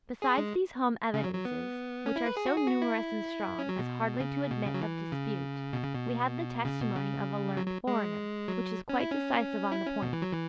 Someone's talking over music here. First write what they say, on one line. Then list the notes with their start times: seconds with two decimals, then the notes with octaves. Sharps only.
Besides these home evidences, which are so numerous and strong as hardly to admit of dispute, we have the testimony of a learned foreigner, which is quite decisive on the point.
0.22 G#4
0.38 G#3
1.14 C#3
1.24 F#3
1.34 F#3
1.45 B3
2.06 C#4
2.16 E4
2.26 B4
2.37 G#4
2.46 F#4
2.57 G#4
2.67 F#4
2.82 E4
3.59 C#4
3.69 F#3
3.79 B2
4.20 C#3
4.51 B2
4.66 C#3
4.74 F#3
4.81 E3
5.12 C#3
5.73 B2
5.83 C#3
5.94 B2
6.65 C#3
6.81 B2
6.96 C#3
7.57 F#3
7.67 F#3
7.87 G#3
8.48 F#3
8.89 C#4
9.00 E4
9.10 C#4
9.72 E4
9.86 C#4
10.02 B2
10.13 E3
10.22 F#3
10.33 E3